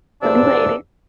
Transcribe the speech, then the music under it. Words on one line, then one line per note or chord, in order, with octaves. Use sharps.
some people hate it.
E2 C3 F3 D4 D5 E6